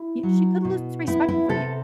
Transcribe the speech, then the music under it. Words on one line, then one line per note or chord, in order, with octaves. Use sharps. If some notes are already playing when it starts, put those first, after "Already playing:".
she could lose respect for you.
Already playing: E4
F#3
B2
B3 E4
E4
C3 A4